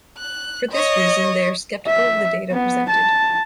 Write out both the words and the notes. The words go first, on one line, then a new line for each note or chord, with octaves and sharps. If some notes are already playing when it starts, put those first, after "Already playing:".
For this reason, they are skeptical of the data presented.
F#6
C#5 D#5
E5
B3
A5